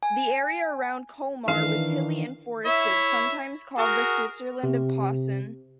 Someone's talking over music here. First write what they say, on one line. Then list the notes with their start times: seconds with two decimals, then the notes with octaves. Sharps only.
The area around Kolmar was hilly and forested, sometimes called the "Switzerland of Posen".
0.03 G#5
1.48 D#3 E3 D4 F5
2.66 E4 C#5 E5
3.78 F#4 G#4 A#4
4.63 C3